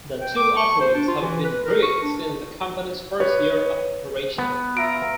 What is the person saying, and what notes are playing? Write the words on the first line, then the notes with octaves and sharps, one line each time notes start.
The two offerings have been brewed since the company's first year of operation.
G5
D6
C#6
C5
D4
F4
E3
B4
A#4
C#6
D4
B4 C#5
B3
F4 E5 A#5 D7